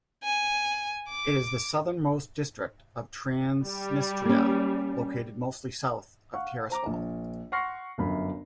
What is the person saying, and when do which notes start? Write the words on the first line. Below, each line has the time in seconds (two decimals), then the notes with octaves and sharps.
It is the southernmost district of Transnistria, located mostly south of Tiraspol.
0.24 G#5
1.09 D6
3.62 G3
4.25 A#3 C#4
6.34 F5 F#5 C#6
6.70 C5 A#5 D6
6.86 A#1
7.52 F#5 C6 C#6 F6 A#6 C7
7.98 G1 F#2 B5